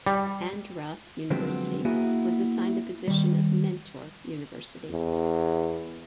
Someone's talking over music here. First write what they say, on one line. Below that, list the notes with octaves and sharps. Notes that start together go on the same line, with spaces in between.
Andhra University was assigned the position of mentor university.
G3
D3 F3 F#3 G#3 B3 C4
A#3 B3 E4 F#4 G#4
D#3 G3
E2